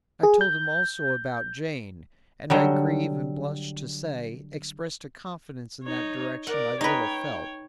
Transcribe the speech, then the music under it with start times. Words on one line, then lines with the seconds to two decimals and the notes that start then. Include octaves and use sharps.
I told him also about Jane; and, I grieve and blush to say, expressed a confidence in that direction I little felt.
0.23 G#4
0.41 G6
2.50 D3 F#3 G3
5.83 D#4 C#5
6.47 A#4 D5 F#5
6.81 D#4 B4 C#5 G5